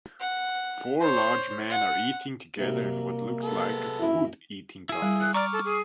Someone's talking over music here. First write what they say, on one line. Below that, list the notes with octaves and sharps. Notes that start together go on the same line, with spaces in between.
Four large men are eating together in what looks like a foodeating contest.
F#5
C5 C#5
F#5
C3 F#3 G3 A#3
G#3 B3 A4
F#2 A#3 E4
E4 G#4
G3
F#6
D5 A#5 C#6 D6 F6
A4
G#4